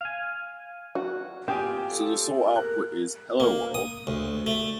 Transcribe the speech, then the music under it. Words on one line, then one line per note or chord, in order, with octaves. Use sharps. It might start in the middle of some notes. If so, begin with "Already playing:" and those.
So the sole output is "Hello, world!".
F5 G#5
F#4
C4 F4 G4 D5 G5 G#5 D#6
A4
A#4 F#6
A#3
D#6
D2
A3